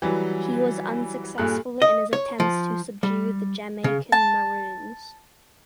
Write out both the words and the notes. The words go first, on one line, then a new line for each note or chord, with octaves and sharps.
He was unsuccessful in his attempts to subdue the Jamaican Maroons.
E3 F#3 G3
G2 A#2 G#4 A4 F#6
D#5
C#5
F3
G3
C#3
A5